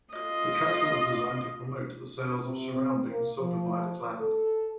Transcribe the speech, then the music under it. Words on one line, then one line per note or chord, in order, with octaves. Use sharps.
The attraction was designed to promote the sales of surrounding, subdivided land.
F4 D#5
C3
C4
A#3
F3
A4